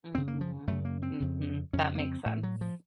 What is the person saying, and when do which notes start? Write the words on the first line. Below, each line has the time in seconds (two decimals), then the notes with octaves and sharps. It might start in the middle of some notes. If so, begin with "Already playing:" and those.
Mhm. Mhm. That makes sense.
0.14 F#2 C#3 C4
0.28 A#3
0.41 F3
0.67 F#2 C#3 A3
0.85 A#3
1.03 C4
1.20 F2 C#3
1.73 F2 C#3 C#4
1.95 A#3
1.99 C4
2.26 A2 A3
2.43 F#3
2.61 F3